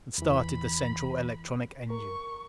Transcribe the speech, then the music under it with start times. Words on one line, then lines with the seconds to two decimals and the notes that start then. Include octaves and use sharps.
And started the central electronic engine.
0.18 E2 E3 B5
1.90 A#4 C#6